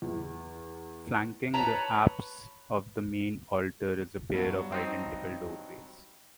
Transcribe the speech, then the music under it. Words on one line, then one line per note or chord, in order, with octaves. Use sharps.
Flanking the apse of the main altar is a pair of identical doorways.
E2
B4 C#5 A5 A#5
G2 F#3 F#5
C4 D#4